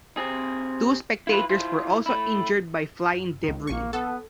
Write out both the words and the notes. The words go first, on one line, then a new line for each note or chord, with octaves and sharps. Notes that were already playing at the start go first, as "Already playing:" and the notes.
Two spectators were also injured by flying debris.
C3 C4 G#4
E4 F4 B4
E4 F4 C5
A3 E4
C#2 D#3
A#1 A#3 C#6
B3 A4